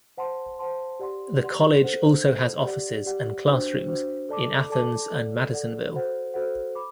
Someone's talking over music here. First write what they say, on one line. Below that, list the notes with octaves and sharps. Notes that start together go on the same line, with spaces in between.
The college also has offices and classrooms in Athens and Madisonville.
C5 F#5 A5 C6
C5 F#5 A5 C6
G4 D5 F#5 C6
G4 D5 F#5 C6
A4 C5 F#5
A4 C5 F#5
G4 D5 F#5
G4 D5 F#5
D4 F#4 C5
D4 F#4 C5
A4 D5 A5 D6
A4 D5 A5 D6
A4 D5 F#5
A4 D5 F#5
F#4 A4 C5 F#5
F#4 A4 C5 F#5
B5 D6